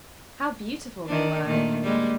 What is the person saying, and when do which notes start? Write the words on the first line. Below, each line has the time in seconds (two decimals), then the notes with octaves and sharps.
How beautiful they were!
1.06 D#3 D4
1.45 A#2 D#3 A3
1.83 G3 G#3 A#3